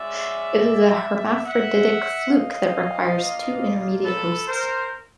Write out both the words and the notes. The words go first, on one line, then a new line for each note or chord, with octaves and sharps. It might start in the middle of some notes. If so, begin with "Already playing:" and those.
It is a hermaphroditic fluke that requires two intermediate hosts.
Already playing: G#3 C#4 F#4 D5 E5
E5 F#5
D#5 F5
A#3 D4 F4
A4 B4
A#4 C5